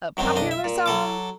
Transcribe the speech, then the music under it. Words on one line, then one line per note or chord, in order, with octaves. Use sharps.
"A popular song?"
F#2 D#3 F#3 C4
B1 D4 D#5
E5
A#2
F#3 A4 D6